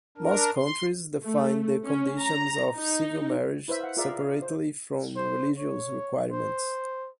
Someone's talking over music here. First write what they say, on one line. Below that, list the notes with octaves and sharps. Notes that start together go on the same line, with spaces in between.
Most countries define the conditions of civil marriage separately from religious requirements.
D4 A#4
C6
A3
C#4
A#5
D#4
E4 B4 C5 E5 B5
F5 F#5
F4 G#4 A#4 D5 E5 F5
F5
C5
C5
C#5
C5